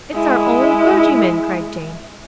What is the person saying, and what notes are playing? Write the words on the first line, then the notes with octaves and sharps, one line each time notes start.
'It's our own clergyman,' cried Jane.
G#3 E4